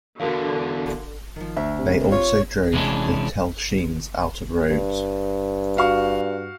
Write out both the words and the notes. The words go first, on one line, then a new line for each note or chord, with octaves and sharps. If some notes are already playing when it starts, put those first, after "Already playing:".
They also drove the Telchines out of Rhodes.
E2 B2 D3 F#4 A#4 F5
D#3 F3
D2 E5
C3
F4 C#5
C3 E3 G#3 B3 C#4 D4
G2
F#4 F5 C#6